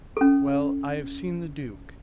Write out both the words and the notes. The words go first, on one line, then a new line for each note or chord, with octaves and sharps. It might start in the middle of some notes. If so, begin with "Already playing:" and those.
"Well, I have seen the duke."
C#4 A4